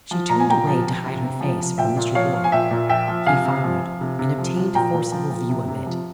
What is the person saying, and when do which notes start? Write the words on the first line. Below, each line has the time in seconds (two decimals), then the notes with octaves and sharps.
She turned away to hide her face from Mr. Yorke. He followed and obtained forcible view of it.
0.11 F3
0.30 A#2 A#5
0.40 G#5
0.48 A#2 G5 A#5
0.67 F3
0.85 F3
1.04 C3
1.22 C3
1.40 F3
1.60 F3
1.78 A#2 E5 G5
1.96 A#2
2.15 F3 C#5 F5
2.34 F3
2.44 G#5
2.52 A#2 E5 G5
2.71 A#2
2.89 F3 E5 G5
3.08 F3
3.26 C3 F5 G#5
3.45 C3
3.64 F3
3.82 F3
4.01 C3
4.19 C3
4.38 F3
4.57 F3
4.75 A#2 G5 A#5
4.93 A#2
5.12 F3
5.31 F3
5.49 C3
5.68 C3
5.86 F3